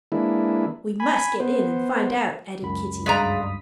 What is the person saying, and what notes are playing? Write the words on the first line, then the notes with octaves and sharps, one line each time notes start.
"We must get in and find out," added Kitty.
E3 G#3 A#3 D4 E4
G#5 B5
B3 C5
C#2 F#2 B5
G2 G#3 G#4 D5 F5 A#5 D#6 B6